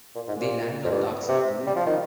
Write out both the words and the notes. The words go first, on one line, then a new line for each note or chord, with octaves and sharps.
They landed on the dark side of the moon.
A#2
G#2
A#2
F2
G2
C3
G3
F3
D#3